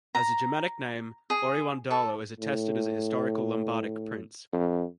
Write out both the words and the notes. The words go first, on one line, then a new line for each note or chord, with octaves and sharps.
As a Germanic name, Auriwandalo is attested as a historical Lombardic prince.
A#5
G#4
A4
A2
F2